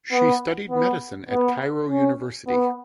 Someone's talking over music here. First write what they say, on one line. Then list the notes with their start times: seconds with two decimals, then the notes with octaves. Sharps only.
She studied medicine at Cairo University.
0.12 B3
0.70 B3
1.29 B3
1.89 C#4
2.47 B3